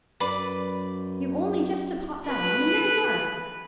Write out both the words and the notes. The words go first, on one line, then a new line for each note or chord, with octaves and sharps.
You've only just to pop that on, and there you are.
F#2 B4 D5
B4